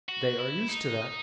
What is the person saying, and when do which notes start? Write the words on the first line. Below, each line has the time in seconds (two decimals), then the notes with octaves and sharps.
"They are used to that."
0.09 F#4
0.39 E4
0.68 D#4